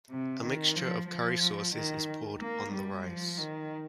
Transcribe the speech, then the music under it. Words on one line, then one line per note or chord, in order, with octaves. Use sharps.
A mixture of curry sauces is poured on the rice.
C3
D#3
F3
F3
D#3
A#3
G3
F3
D#3